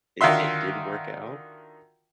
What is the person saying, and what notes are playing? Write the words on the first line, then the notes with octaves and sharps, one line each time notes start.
it it did work out.
D3 D#3 F4 F#4 E5 C6